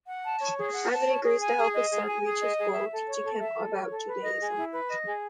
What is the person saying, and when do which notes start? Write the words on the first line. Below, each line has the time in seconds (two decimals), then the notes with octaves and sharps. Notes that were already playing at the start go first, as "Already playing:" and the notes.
Hyman agrees to help his son reach his goal, teaching him all about Judaism.
0.08 F#5
0.25 A5
0.41 C#5
0.57 G#4
0.74 F#5
0.91 A5
1.08 C#5
1.24 G#4
1.41 G#5
1.57 G#4
1.75 D#5
1.91 G#4
2.07 G#5
2.24 G#4
2.40 D#5
2.57 G#4
2.73 E5
2.90 A4
3.07 C#5
3.23 A4
3.40 E5
3.57 A4
3.73 C#5
3.90 A4
4.06 B4
4.23 D#5
4.40 G#4
4.56 E4
4.72 B4
4.89 D#5
5.05 G#4